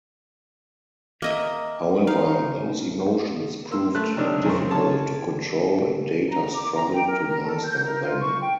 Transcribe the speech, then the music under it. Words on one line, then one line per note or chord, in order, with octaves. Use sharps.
However, those emotions proved difficult to control and Data struggled to master them.
A#3 D#5 E5
D#4 F5
A#3 C6 E6
A3 F#6
C3 D#3 F#3 D4 D#4 A#4
F#2 C#3 C4 A#4 C6 C#6
C#5 A5
A#5
D6
A#5
G5
A#4
A#4
A4
G6
A#4
F4
C#6
G5